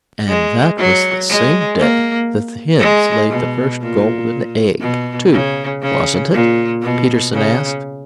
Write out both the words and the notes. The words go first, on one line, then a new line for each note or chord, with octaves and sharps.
"And that was the same day that the hens laid the first golden egg too, wasn't it?" Peterson asked.
G#3
F#3
G#3
A#3
G#3
B2
A#2
B2
C#3
C#3
A#2
B2
C#3